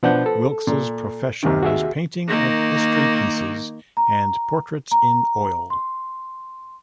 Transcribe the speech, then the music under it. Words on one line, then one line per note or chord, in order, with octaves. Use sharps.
Wilkes' profession was 'painting of History Pieces and Portraits in Oyl'.
B2 F3 B3 D4 F#5 G6
A4
A#2
D#2 C3 D#3
F#4 G#4 E5
D#3 A#3
A#5
A#5
C6